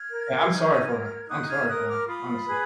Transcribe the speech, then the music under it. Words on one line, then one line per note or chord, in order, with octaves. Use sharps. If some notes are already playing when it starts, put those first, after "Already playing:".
Yeah, I'm sorry for him, I'm sorry for him, honestly,
Already playing: F6 G#6
A#4
D#4
A#4
F6
D#4 D#6 F#6
F6 G#6
A#4 D#6 F#6
D6 F6
F4 B5 D#6
G#4 B4